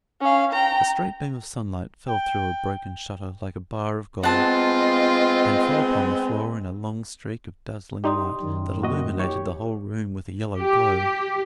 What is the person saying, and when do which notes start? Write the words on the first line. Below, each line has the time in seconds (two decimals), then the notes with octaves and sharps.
A straight beam of sunlight fell through a broken shutter like a bar of gold, and fell upon the floor in a long streak of dazzling light that illuminated the whole room with a yellow glow.
0.21 C#4 F5
0.53 G5 A#5
2.09 G5
4.23 G#3 B3 C4 F4 D#5 F#5 A5
8.04 D#4 G4 D5 C6 D#6
8.42 F#2 D#3
8.82 A#3 F#4 D#5
9.20 G4 C#5
10.59 G4